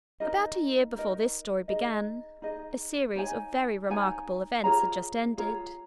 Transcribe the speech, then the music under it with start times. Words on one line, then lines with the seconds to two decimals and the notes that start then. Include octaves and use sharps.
About a year before this story began, a series of very remarkable events had just ended.
0.20 D#4 A#4 D#5
0.95 D#4 A#4 D#5
1.68 D#4 G#4 D#5
2.42 D#4 G#4 D#5
3.16 D#4 C#5 G#5
3.90 D#4 C#5 G#5
4.64 F4 G#4 C#5 A#5
5.37 F4 G#4 C#5 A#5